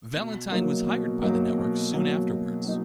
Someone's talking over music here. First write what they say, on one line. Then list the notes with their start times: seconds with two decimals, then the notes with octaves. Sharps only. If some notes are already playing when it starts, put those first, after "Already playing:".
Valentine was hired by the network soon afterwards.
0.16 B2
0.50 F#3 A#3 D#4
0.87 B2
1.22 F#3 A#3 D#4
1.58 B2
1.93 F#3 A#3 D#4
2.28 B2
2.64 F#3 A#3 D#4